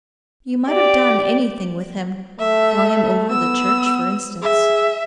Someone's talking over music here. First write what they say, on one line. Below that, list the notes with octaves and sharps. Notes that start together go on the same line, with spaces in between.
You might have done anything with him--flung him over the church for instance.
G4 D5
A3 E5
B3 E6
G#4 E5